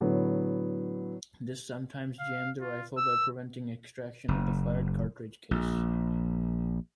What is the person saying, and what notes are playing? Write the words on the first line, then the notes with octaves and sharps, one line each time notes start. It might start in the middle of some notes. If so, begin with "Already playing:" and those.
This sometimes jammed the rifle by preventing extraction of the fired cartridge case.
A2 D3 F#3 B3
F5
F4
E6
F#1
A#1